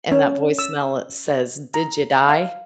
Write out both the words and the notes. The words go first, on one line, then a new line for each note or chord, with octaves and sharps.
and that voicemail, it says, "Did ya die?"
C#4
E6
A#5
F5